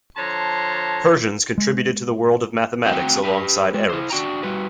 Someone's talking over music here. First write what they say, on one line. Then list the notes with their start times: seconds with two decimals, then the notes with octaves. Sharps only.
Persians contributed to the world of Mathematics alongside Arabs.
0.16 D3 F3 C#5 A5 A#5 C6
1.58 G#3
2.85 A3 C4 F#4 C5 F#5 G5
3.24 G4 B4
3.74 G#3 F#4
3.89 E4 C5
4.10 D4 F#4 G5 A#5
4.43 G3 F#4 B4